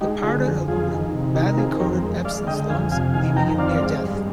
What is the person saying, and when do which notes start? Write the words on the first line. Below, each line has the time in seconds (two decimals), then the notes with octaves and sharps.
The powdered aluminum badly coated Ebsen's lungs, leaving him near death.
0.01 G#3 D#4 G4
0.23 D3 F4 G#4
0.46 F2
0.68 F2 F4 G#4
0.91 D#3
1.13 C3
1.35 D#3 D#4 G4
1.47 A#4
1.57 C4 F4 G#4
1.80 F2 G4 A#4
2.02 G#3
2.25 G#3 D5 F5
2.47 D3 D#5 G5
2.69 F2 F5 G#5
2.92 C3 F5 G#5
3.14 D#3 F5 G#5
3.36 F2 G5 A#5
3.58 C4 D5 F5
3.82 G#3
4.04 G2